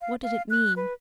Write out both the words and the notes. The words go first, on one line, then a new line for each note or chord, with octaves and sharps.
What did it mean?
F5
F5
F#6
B4